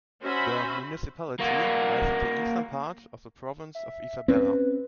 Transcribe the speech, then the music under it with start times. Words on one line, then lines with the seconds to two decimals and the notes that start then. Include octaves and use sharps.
The municipality lies in the eastern part of the Province of Isabela.
0.21 C#4 F#4 C5 E5 B5
1.40 A#3 F#4
3.75 E5
4.28 C4 C#4 B4